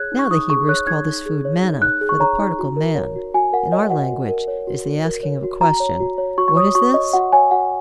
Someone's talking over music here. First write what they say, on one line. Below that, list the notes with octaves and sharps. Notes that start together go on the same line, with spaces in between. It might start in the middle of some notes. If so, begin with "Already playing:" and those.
Now the Hebrews call this food manna: for the particle man, in our language, is the asking of a question. What is this?
Already playing: G#4 C#5 F#6 G#6
D#4
C#6
D#4 D#6
G#4 C#6
C#5 F#6
D#4 G#6
D#4
G#4
C#5
D#4
D#4 F#6
G#4
C#6
C#5 A#5
D#4
F#4
A#4
C#5
F#4
F#4 G#5
A#4 F#5
C#5 D#5
F#4 F#5
F#4
A#4
C#5
F#4
F#4
A#4
C#5
F#4
F#4 A#5
C#5
F#4
C#5
F#4 C#6
C#6
C#5 D#6
F#4 C#6
C#5 D#5
F#4 F#5
C#5 G#5
F#4 F#5